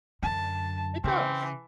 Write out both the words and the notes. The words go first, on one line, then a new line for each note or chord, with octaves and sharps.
It does.
F#2 D3 A5
C#3 E3 C4